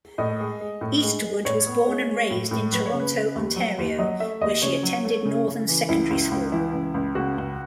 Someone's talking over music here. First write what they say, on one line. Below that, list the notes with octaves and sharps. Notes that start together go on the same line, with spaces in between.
Eastwood was born and raised in Toronto, Ontario, where she attended Northern Secondary School.
A2 D#5
G#3
G#3
A2
G#3
G#3
A2 C#5
B3
G#3
G#3
A2
A2
F#3 B4
C#5
C#3
B4
C#3
D#2
F#3
D#2
F#3 D#5
A3 E5
D#2 D#5
C#3 C#5
F#3
A3
C#3
C#3
E3
C#2 E4
C#2
C#2
E3 E4
C#2
C#2
C#3 F#4
C#2